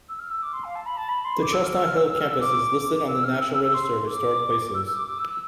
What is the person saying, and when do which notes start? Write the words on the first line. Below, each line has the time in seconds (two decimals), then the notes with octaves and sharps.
The Chestnut Hill campus is listed on the National Register of Historic Places.
0.08 E6
0.19 F6
0.30 E6
0.42 D6
0.53 C6
0.64 F5
0.75 A5
0.86 B5
0.97 A5
1.08 B5
1.24 C6
1.41 D6
1.52 E6
1.64 F6
1.74 E6
1.85 F6
1.96 E6
2.07 E6
2.19 F6
2.30 E6
2.40 D6
3.08 E6
3.24 F6
3.41 E6
3.52 E6
3.63 E6
3.74 C6
4.07 D6
4.74 E6
4.85 E6
4.96 D6
5.07 D6
5.18 E6
5.29 E6